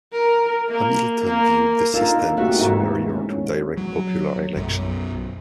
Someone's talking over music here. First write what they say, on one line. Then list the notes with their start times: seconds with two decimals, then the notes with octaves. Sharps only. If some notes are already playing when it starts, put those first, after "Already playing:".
Hamilton viewed the system as superior to direct popular election.
0.12 A#4
0.69 A#3
1.24 A#3
1.94 A#3 D4 D#4 F4 A4 A#4
2.37 C3 A3 A#3 D#4 F#4 G4
2.59 G#2 E3 A3
3.09 C#4
3.77 F#3
4.56 B1 F#2